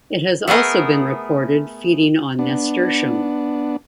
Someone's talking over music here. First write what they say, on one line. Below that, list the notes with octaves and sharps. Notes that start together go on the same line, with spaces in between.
It has also been recorded feeding on nasturtium.
A3 B3 G#4 A#4
B3 D4